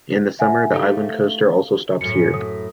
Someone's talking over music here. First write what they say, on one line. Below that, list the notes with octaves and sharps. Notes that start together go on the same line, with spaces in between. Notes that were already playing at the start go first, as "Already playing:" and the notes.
In the summer, the Island Coaster also stops here.
E5 F#5 G#5
A3 D#4 G4 A4 F5
F#2 A2 C#7
D#6